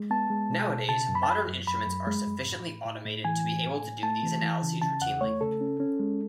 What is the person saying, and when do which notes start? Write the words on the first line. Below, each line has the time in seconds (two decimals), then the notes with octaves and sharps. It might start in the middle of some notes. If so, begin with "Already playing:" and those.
Nowadays, modern instruments are sufficiently automated to be able to do these analyses routinely.
Already playing: G#3
0.10 B3 A5
0.30 G#3
0.50 B2
0.69 B2
0.89 C#3 A5
1.09 F#2
1.15 B5
1.23 A5
1.28 F#2 B5
1.47 F#2
1.67 F#2 B5
1.87 F#2
2.07 G#3
2.26 F#2
2.46 A2
2.66 A2
2.86 A2
3.05 A2
3.25 E3 G#5
3.44 A2
3.64 A2
3.84 A2
4.03 A3 A5
4.23 E3
4.42 E3
4.62 C#3
4.82 C#3 A5
5.01 E2 F#5
5.21 A3 C#5
5.41 C#3 A4
5.61 C#4
5.80 C#4
6.00 G#3